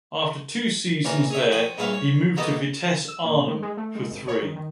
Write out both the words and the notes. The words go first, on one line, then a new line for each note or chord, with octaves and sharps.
After two seasons there he moved to Vitesse Arnhem for three.
A#1 E3 C#4 A#4 D5
G#4 C#5 E5
F3 F#4 G5 D#6
A#1 G2 G#4 C#5 E5 F5
C#5
A#3 B3 F#4 G4 A4 D#5
E6
A#2
D#3
G#3
A3
G#3
G#1
C#5
D#3
D#3